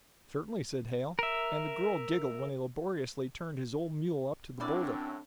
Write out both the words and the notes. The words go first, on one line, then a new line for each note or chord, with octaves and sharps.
"Certainly," said Hale, and the girl giggled when he laboriously turned his old mule up to the boulder.
A#4 E5
F#2 A2 G3 C4 D4 E4 D5